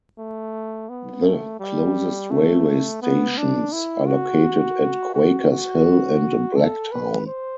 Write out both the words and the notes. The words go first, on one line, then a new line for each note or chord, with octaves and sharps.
The closest railway stations are located at Quakers Hill and Blacktown.
A3
B3
A3
G3
A3
B3
D4
E4
F#4
F#4
F#4
A4
B4
C5